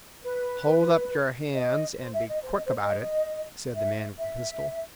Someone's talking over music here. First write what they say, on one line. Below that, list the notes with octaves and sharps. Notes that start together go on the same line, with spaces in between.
"Hold up your hands, and be quick about it!" said the man with the pistol.
B4
D#5
C5
E5
D#5
C5
D#5
C5
D#5
E5
E5